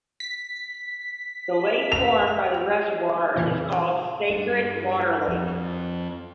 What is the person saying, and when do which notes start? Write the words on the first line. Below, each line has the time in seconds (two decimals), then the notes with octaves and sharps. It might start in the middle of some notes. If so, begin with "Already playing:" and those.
The lake formed by the reservoir is called "Sacred Water Lake".
0.20 B6
1.92 F7
3.36 F2 A#2 C#3 E3
4.30 G2
5.28 F2